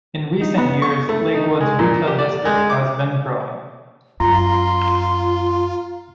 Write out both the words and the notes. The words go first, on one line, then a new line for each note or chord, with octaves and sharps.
In recent years Lakewood's retail district has been growing.
D#4
B3
C#6
A3
D#4
G#3
A#2
G4
D5
G#3
D6
F#2 F4 A#5 C6